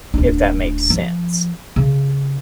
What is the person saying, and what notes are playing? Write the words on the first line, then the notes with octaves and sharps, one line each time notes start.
if that makes sense.
D1 D4
F3
C#3